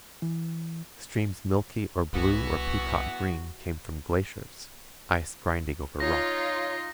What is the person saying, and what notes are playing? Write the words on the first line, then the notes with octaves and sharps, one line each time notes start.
Streams milky or blue or peacock green came from glaciers--ice grinding over rock.
E3
C2 E3 B3 F#4 C#6
D#4 F4 C#5 A#6